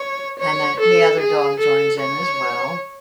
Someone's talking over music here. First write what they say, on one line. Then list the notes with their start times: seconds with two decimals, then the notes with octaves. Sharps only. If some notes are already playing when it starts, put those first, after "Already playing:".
and then the other dog joins in as well.
Already playing: C#5
0.39 C#5
0.80 A4
1.20 G#4
1.60 A4
2.00 C#5